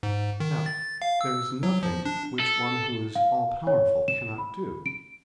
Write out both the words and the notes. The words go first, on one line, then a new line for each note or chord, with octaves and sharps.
'Now, there is nothing which One who is all-powerful cannot do.'
G#2
D#3
A6
F5
E6
F#3
F3
D4
A4
F5
C#5
E7
B5
D7